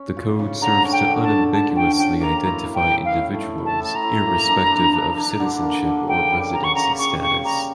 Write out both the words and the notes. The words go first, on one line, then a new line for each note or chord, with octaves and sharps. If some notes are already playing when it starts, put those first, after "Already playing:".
The code serves to unambiguously identify individuals irrespective of citizenship or residency status.
Already playing: C#4
F4
C#3
D3 A#5
C#4
G5
D3
A5
D3
D3 A5
C#4 G5
C#4 G5
A#3 A#5
E4 A#5
E4
G5
A2
F5
A2
A3
E4
A5
A2 A5
A#5
E4
A#3
D4
D4
D4
D4
D3
A#3
D3
C#3 G5
G3
G3 A#5
C#6
C#3 A#5
C#3 C#6
C#3 C#6
G3 A#5